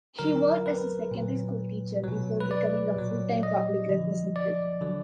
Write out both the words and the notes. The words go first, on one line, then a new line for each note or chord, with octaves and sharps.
He worked as a secondary school teacher before becoming a full-time public representative.
D3 F#3 A#4
B4
A#2 F#3
B2 F#3
B4
D5
A#2 F#3
D#5
D3 F3
D5
D3 F#3